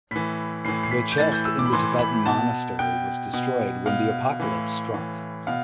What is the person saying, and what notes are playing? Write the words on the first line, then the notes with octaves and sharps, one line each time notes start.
The chest in the Tibetan monastery was destroyed when the apocalypse struck.
A2 E3 B6
A2 E3 C7
C7
B6
G6
A2 E3 A6
G6
E6
D6
B5
A2 E3 C6
B5
B2 A5
B2 G5
B2
B2 F5
A2 E3
A2 E3
B2 F5